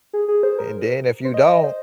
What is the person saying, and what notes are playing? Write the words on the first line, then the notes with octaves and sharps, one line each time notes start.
And then if you don't
G#4
G#4
C5
A#4
C5
D#5
C5